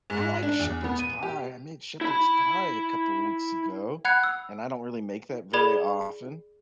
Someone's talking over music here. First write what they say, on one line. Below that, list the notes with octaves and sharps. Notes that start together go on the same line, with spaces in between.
I like shepherd's pie, I made shepherd's pie a couple weeks ago, and I don't really make that very often,
G#2
D4
E2
B3
D#7
G4
E4 B5
F#5 B5 F#6 G#6 C#7
E6
G#4 D5 B5 G#6 G7